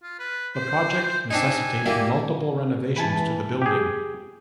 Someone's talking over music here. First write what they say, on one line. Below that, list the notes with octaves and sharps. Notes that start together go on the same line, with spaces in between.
The project necessitated multiple renovations to the building.
F4
B4
C5
C4 D4 D#4 G#5
G3 A#3 E4
E3 B4 G#5 A5
G4 G#4